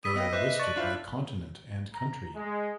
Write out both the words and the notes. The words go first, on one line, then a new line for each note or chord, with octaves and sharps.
They are listed by continent and country.
D4 B5 D#6 E6 B6 D#7
B3 D#5 F5 G5 E6
B4 C5 E5 D6 F#6 B6
D5 A5 C#6 A6 F#7
D4 E4 F4 C5 E5 F5 F#6
A#5
G#3